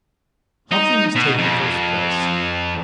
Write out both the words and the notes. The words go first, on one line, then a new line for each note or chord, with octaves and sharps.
Humphrey must take the first place.
D#4
B2
F2